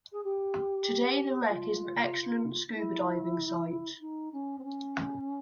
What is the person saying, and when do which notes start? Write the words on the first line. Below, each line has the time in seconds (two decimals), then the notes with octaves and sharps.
Today the wreck is an excellent scuba diving site.
0.13 G#4
0.24 G4
1.49 F4
2.75 E4
4.01 D#4
4.33 C#4
4.59 C4
4.64 C#4